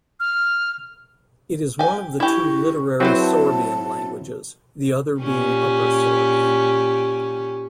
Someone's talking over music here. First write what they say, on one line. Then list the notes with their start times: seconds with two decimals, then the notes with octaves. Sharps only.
It is one of the two literary Sorbian languages, the other being Upper Sorbian.
0.20 F6
1.79 G4 G#5
2.20 E4 G4 C#6
3.00 F#3 C4 E4 F#4 G#4 B4 C5
3.20 A5
5.20 A#2 C#4 G4